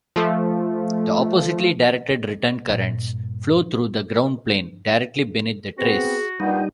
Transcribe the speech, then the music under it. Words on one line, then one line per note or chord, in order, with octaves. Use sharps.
The oppositely-directed return currents flow through the ground plane directly beneath the trace.
F3 A3
G2 A#2
B3 C4 F#4 G#4
G2 A#2 G3 D#4 F#5